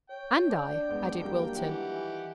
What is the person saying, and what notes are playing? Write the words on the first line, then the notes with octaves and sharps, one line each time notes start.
"And I," added Wilton.
C#5 G5
D4
E2 G#3 B3
D#3 F#3 G3 A#3 D4
E3 G4 F#5